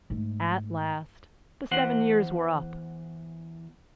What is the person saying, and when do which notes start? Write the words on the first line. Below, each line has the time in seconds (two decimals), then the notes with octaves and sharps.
At last the seven years were up.
0.10 G#2 A3
1.71 E2 C5 F#5